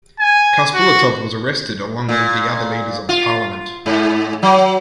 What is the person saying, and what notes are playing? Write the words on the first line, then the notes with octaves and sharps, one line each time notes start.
Khasbulatov was arrested along with the other leaders of the parliament.
G#5
F#4
A#2
F4
G#2
F#3